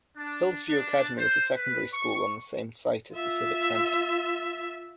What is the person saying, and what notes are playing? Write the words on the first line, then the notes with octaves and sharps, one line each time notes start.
Hillsview Academy is a secondary school on the same site as the civic centre.
D4
D4
C5
B4
C#6
F4 E5